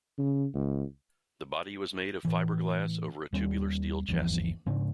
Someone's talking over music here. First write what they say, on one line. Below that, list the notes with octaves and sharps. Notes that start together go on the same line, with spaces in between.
The body was made of fiberglass over a tubular steel chassis.
C#3
C#2
A2 E3
D#2 G3 C#4
G1 D#2 E3 F3
G#2 C#3 G#3 D4